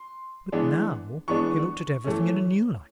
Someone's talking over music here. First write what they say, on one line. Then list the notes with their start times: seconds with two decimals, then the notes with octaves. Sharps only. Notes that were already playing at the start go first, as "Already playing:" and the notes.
But now he looked at everything in a new light.
Already playing: C6
0.52 E3 G#3 B3 D4
1.28 E3 G#3 B3 D4 C#6
2.04 E3 A3 C#4